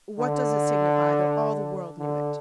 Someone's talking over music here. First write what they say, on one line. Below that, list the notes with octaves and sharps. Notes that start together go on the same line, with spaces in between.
"What does it signify though all the world knew it?"
D3
D3